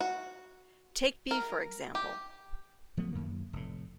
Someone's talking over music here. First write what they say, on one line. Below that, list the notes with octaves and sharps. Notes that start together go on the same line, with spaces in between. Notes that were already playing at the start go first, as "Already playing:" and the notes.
Take B for example.
F#4
A#4
G4
F3 A3 B3
F#2 D#3 A#3
F1 A2